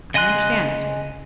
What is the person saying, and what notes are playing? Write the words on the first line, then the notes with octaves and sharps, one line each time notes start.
"I understand, sir."
C#3 D#5 G#5 C6 F#6